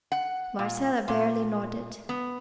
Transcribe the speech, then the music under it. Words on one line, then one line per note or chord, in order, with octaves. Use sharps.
Marcella barely nodded.
F#5
A#2
A#2
B3